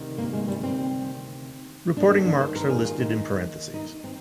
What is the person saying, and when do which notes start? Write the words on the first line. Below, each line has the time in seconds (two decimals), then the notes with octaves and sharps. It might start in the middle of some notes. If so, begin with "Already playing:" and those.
Reporting marks are listed in parentheses.
Already playing: D2 C3 D#3
0.18 A#3
0.33 G#3
0.48 G3
0.63 C4
1.96 D#2 D4
2.00 D#3
2.11 D4
2.26 D4
2.41 C5
2.56 A#4
2.70 G#4
2.85 F4
3.00 D#4
3.74 D#4
4.04 C4